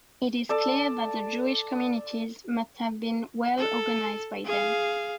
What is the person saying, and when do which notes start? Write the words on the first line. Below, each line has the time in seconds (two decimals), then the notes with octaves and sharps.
It is clear that the Jewish communities must have been well-organized by then.
0.49 A4 D5 A5
3.58 A4
4.45 G#4 F5